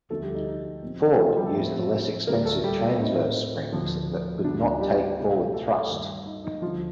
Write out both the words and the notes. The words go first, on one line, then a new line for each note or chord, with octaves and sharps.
Ford used the less expensive transverse springs that could not take forward thrust.
D2 D3 F3 A3 A#3 A4
G3 G4
D#4
D#4
A#2 F3 C4
D#4
F3 F4
G3 G4
A3 A4
A2 F3 C4
D2 D3 G3 A#3 A#4
A3 A4
G3 G4
A2 A3 C4 D#4
D2 D3 F3 D4
D2 D3 G3 D4
D4
D#4
G3 G4
C2 A#2 A3
A3 A4
G2 D#3 A#3
D#4
D#4
D2 D3 F3 F4